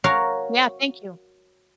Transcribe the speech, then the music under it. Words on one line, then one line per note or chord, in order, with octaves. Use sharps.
Yeah, thank you.
F#4 A#4 C#5 F5